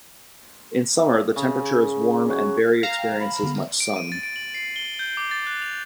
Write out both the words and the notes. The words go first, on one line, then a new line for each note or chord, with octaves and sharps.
In summer, the temperature is warm and Bury experiences much sun.
C#3
F#3
F5 A#5 E7
G5
B5
D3 B3
D7
D#7
A6
D7
F#7
C7
G7
G6
D6
A6
F#6
F7